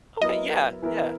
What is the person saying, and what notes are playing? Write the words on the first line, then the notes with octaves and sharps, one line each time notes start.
Okay, yeah, yeah.
F#3 B3 E4 A#4 D#5
E3 B3 E4 A#4